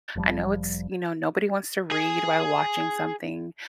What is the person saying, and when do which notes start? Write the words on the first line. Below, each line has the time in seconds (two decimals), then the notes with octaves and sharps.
I know it's," you know, "nobody wants to read while watching something,"
0.16 F1 F3 G3
1.91 G#4 G#5